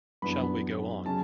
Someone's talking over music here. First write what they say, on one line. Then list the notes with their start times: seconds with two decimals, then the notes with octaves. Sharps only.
Shall we go on?
0.22 F#2 E3 G3 B3 D4 B5
1.06 C#3 F#3 C#4 A5